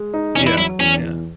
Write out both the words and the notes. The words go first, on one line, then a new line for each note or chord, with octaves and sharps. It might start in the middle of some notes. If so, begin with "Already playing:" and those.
Yeah, yeah.
Already playing: G#3
D#4
E2 C#4
E4
F#3 E4
E2 C#4
E2